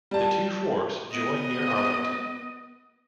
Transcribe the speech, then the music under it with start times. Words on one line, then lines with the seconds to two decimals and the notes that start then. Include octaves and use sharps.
The two forks join near Arlington.
0.11 G3 A5
1.11 B3 D#5